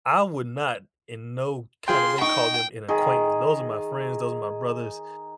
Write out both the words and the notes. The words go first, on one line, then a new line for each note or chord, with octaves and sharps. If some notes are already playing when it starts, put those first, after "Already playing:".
I would not, in no kinda way, call them an acquaintance, those are my friends, those are my brothers,
F4 G#4 G5 C6
D#4 G5 C#6
D#3 G#4